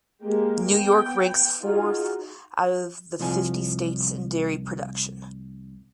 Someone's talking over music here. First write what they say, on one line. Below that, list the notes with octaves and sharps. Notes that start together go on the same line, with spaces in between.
New York ranks forth out of the fifty states in dairy production.
G#3 A#3 G4
B3 G5
D#4 F4 F#4 G#4
C2 F3 G#5